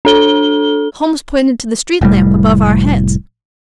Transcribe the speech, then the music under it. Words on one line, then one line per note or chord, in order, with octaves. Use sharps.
Holmes pointed to the street lamp above our heads.
D4 A4 G7
F1 A2 G3